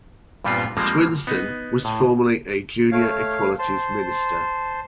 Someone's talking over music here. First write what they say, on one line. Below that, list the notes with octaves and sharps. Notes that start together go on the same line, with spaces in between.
Swinson was formerly a junior Equalities Minister.
G2 A#2 G3 B3 C4 F4
F3 G3 G#3 A#3 C4
B3 D#4
A2
A3 C#5 F5
C5 A5 C6